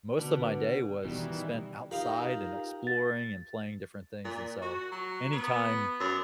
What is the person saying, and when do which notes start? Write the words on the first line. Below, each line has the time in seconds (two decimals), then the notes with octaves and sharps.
most of my day was spent outside and exploring and playing different things, and so, anytime
0.19 B2 D3 D4 B5
1.05 B2 D#3 E3 G3
1.91 D#4 F4 G4 A#4 F5 B5
2.87 A6
4.25 A#2
4.62 F#4
4.92 F#3
5.33 B3
6.00 F#2